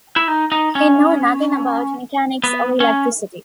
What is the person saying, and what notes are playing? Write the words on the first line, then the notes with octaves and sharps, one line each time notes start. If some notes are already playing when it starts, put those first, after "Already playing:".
He knew nothing about mechanics or electricity.
E4
D#4
D#4
C#4
B3
C#4